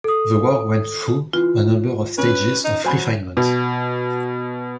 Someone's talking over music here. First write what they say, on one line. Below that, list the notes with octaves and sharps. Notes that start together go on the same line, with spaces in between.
The work went through a number of stages of refinement.
A4 D#6
E3 F4
C#4 B4
D#4
F#3 C5 G#5 B5
B2